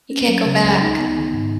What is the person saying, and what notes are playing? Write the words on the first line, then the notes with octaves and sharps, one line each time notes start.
You can't go back.
C#4
F#3
C#3
C#2
D#4
B3
D#3
G#2